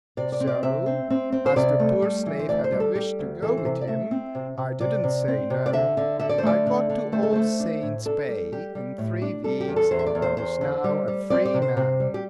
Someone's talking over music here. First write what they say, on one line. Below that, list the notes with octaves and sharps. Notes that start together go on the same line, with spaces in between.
So, as the poor slave had a wish to go with him, I did not say "no." I got to All Saints' Bay in three weeks, and was now a free man.
C3 D5
D5
C4
D5
C3 E5
C4
C4
C4
C5
C3 D5
A3
G3
E3
C5
D2 D5
C5
G3
A4
G3 G4
D2
E3 A4
C5
C3
D5
A3 E5
C4
C3
C3
C3 D5
C3
C4
C3
D5
D3 E5
D3
D3 E5
D5
C5
A3 D5
D3
D3
A3 C5
A4
A3 C5
D4
A2
D4 A4
G3
G3 G4
G3
A2
D4
G3 A4
G4
E2
A4
E2 C5
E5
D5
E2
C5
E2 C5
D3
G3
G3
C4 D5
D5
C3
C5
C3 C5
G3
G4